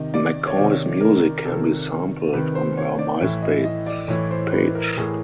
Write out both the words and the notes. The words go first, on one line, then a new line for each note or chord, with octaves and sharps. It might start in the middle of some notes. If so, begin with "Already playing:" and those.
McCoy's music can be sampled on her MySpace page.
Already playing: C3 D#3 D#5
D5
C#5
C3 D#3 D5
A#4
A#4
C3 D#3 A4
C3 D#3 B4
C5
C#5
D5
A2 E3 E5
D#5
D#5
D5
A2 E3 C#5
C5
B4
A#4
A2 E3 G#4